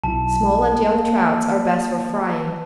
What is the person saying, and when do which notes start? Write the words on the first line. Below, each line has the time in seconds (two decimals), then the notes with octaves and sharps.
Small and young trouts are best for frying.
0.04 B1 E4 A5
0.95 A#3